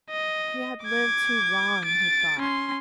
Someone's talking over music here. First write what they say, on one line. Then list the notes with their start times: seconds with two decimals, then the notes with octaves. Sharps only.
He had lived too long, he thought.
0.11 D#5
0.85 D6 G#6
1.85 A6 D7
2.39 C#4 C6